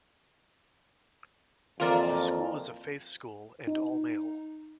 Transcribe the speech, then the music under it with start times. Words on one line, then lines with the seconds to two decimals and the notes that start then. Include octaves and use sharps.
The school is a faith school and all-male.
1.80 F2 E3 A#3 F4 A#4 D5
3.67 D#4